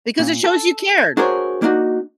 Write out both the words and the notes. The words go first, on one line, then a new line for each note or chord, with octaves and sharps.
Because it shows you cared.
A#2
A4
D4 F#4 G#4 A#4 C5 C#5
A#3 D4 D#4 F#4